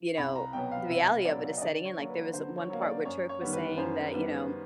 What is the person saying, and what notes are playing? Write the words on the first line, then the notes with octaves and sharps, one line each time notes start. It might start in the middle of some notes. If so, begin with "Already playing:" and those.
you know the reality of it is setting in like, there was one part where Turk was saying that, you know
C2 B5
A#5
B2 F#3 B3 G5
F5
C2 E5
B2 F#3 B3 D5
D#5
D3 D5
C#5
F#3 A#3
B4
D3 C5
C#5
F#3 A#3
D5
F#2 C#5
C#5
D#3 G3 B3
B4
F#2 C5
D#3 G3 B3 B4